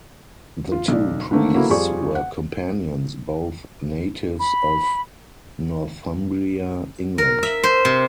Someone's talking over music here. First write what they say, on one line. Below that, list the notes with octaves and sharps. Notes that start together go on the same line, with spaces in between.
The two priests were companions, both natives of Northumbria, England.
F4
B1 D5
D3 D#3 A3 A#3 C4
F#3 A#3 B3 E4 A4
F2 G3 F4 G#4 D5 C#6
F#5
B5
A#4
E5
C5
C3